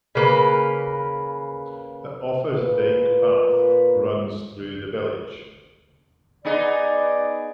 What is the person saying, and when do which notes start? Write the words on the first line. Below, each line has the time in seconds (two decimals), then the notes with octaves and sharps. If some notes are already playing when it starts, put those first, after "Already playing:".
The Offa's Dyke Path runs through the village.
0.15 C#3 A#3 B4
2.52 A#2 B4
6.45 B3 D#4 G#4 D5